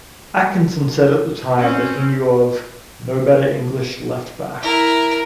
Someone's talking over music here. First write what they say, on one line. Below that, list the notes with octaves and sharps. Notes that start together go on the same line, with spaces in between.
Atkinson said at the time he knew of "no better English left-back".
C4 C#4
E4 A#4